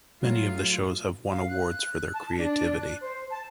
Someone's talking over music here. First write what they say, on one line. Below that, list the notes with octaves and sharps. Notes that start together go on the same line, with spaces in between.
Many of the shows have won awards for their creativity.
A2 F#3 F4
F5
F#6
A5
D4
F#6
C5
A5